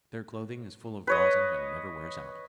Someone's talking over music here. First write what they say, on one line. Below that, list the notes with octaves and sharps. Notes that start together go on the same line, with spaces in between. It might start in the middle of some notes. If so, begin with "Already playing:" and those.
Their clothing is full of rosin and never wears out.
B4 C#5 D#5